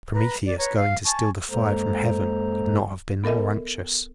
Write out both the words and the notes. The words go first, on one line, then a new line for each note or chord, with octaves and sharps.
Prometheus going to steal the fire from heaven could not have been more anxious.
B4 A#5
D5
B4 C#5 A#5
F5
G#5 A5 C#6
F#2 G#3 A#3 A4 C5 A#5
B3 A4 A#4 D#5 E5